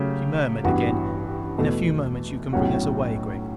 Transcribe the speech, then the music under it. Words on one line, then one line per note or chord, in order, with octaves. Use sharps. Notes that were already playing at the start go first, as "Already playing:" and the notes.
She murmured again, "In a few moments you can bring us away, Gregg."
Already playing: C#3 F#3 A3 C#4 G4
A1 G2 E3 B3 F#4
E2 B2 A3
B1 A2 F#3 C#4 F#4